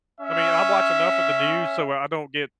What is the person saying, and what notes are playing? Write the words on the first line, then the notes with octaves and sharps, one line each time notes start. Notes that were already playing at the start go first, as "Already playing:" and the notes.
I mean, I watch enough of the news so I don't get
C#4 E5